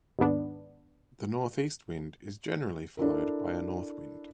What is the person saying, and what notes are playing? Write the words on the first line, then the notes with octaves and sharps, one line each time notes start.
The northeast wind is generally followed by a north wind.
D#2 G#2 B3 D4
D4 E4 A4 A#4